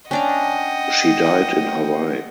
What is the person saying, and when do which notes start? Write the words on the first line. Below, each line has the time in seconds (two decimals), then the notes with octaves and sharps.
She died in Hawaii.
0.11 C#4 D4 D#5 F#5 G5 A#5